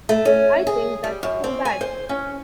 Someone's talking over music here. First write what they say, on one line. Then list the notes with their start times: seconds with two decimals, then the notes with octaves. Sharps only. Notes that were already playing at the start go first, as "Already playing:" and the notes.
I think that's too bad.
0.09 A3
0.25 C#4
0.67 G#4
1.04 G3
1.23 F#2
1.44 C4
1.65 G#5
1.81 C5
2.09 C#4